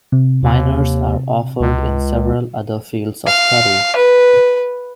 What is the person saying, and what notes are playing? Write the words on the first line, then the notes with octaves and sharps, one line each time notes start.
Minors are offered in several other fields of study.
C3
D#2
C#2
F5
B4